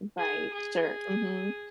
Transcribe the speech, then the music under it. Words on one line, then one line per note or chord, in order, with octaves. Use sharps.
Right, sure. Mhm.
G#4
G#4